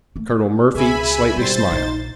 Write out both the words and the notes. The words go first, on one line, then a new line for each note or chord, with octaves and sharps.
Colonel Murphy slightly smiled.
A3 A#3
C#2 G#4 E5 G#5 B5
D2 G#2 B2 G3 C5 A6
A#1 D#4